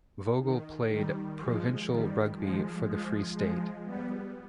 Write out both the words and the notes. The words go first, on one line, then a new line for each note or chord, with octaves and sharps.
Vogel played provincial rugby for the Free State.
D#3
D#3 G3
F3 G#3
D#3 G3
F3 G#3
F3 G#3
F3 G#3
G3 B3